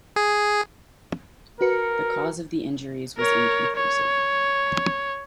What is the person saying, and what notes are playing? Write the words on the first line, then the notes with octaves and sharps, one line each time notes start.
The cause of the injuries was inconclusive.
G#4
F#4 A#4 B4 C#7
A#4 C#5
C#5